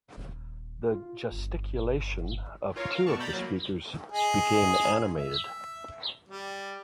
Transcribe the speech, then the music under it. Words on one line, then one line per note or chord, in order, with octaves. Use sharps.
The gesticulation of two of the speakers became animated.
D#1
F4
G1
F4 A#4 C#5 F5
A#4 F5
B2 A3 D5 A5 C#6
A#5 B5 G6 A6
F#3 A#3
G#4 D#5
E5
G3